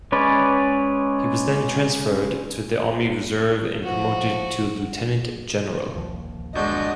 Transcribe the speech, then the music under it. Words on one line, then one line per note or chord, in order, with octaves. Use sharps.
He was then transferred to the Army reserve and promoted to Lieutenant General.
G#3 C#4 B4 C#5 D5
F3 F#4
A#1 D#2 F3
G1 G#3 D4 F#4 D#5 G6